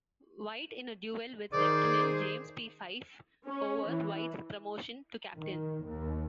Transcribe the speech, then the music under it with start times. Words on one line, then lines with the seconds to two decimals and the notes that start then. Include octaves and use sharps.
White in a duel with Lieutenant James P. Fyffe over White's promotion to captain.
1.53 D#3 G#4 C5 D5
3.46 C#4
3.88 E3
5.39 D#3
5.86 D#2